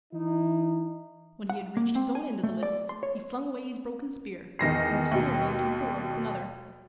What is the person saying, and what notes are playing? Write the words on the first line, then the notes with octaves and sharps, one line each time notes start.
When he had reached his own end of the lists, he flung away his broken spear, and Gascoyne came forward with another.
E3 D#4 E4
F#5
A#3
C4
G#5
A3
D5
C6
C#5
E2 D#3 A#6 C7
D#2 B2